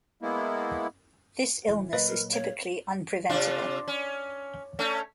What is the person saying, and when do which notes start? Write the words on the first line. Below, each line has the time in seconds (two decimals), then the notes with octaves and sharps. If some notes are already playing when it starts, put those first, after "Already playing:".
This illness is typically unpreventable.
0.22 G#3 A#3 B3 E4
1.69 F1 E3
1.93 A#2 F#3 A#3 B4 D#5
2.08 A#4
2.33 C#5 F5
3.30 C3 D4 F4
3.88 C#4
4.79 A3 C#4